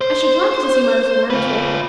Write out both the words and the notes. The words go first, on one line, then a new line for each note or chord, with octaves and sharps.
I should like to see my little mentor.
C5
F4 B4